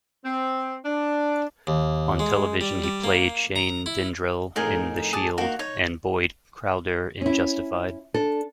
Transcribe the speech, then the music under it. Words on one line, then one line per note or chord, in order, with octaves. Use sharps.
On television, he played Shane Vendrell in "The Shield" and Boyd Crowder in "Justified".
C4
D4
D#2
G#3
G3
G3
A#3
A#5
E4
F2 A2 D#4 G#4 A#4
G#4 A5 D6
D#3 A#3 F#4
D#4 C#5
C#4 E4
D4 A4